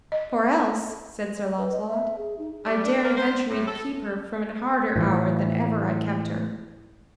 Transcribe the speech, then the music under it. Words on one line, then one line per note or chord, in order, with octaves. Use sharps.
For else, said Sir Launcelot, I dare adventure me to keep her from an harder shour than ever I kept her.
D#5
B4
D#5
E5
G#4
D#4
G3
D4
A#3
C5
A2
A4
A2 E3 F3